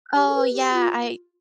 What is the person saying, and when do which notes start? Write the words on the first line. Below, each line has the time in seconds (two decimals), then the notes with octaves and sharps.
Oh, yeah, I
0.15 G4
0.29 A4
0.34 B4
0.53 G4
0.73 F4